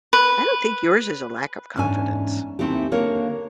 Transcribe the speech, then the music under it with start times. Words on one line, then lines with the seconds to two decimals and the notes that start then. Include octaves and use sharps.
I don't think yours is a lack of confidence.
0.13 B4
1.76 E2 G#2 C#4 D4 G#5
2.59 D#2 A3 C4 D#4 E4 G4
2.92 D3 A#3 A#4 C#5